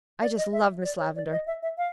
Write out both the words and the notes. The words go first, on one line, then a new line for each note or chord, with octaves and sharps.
I just love Miss Lavendar.
D5
D#5
E5
D5
C#5
D5
D#5
E5
E5
F5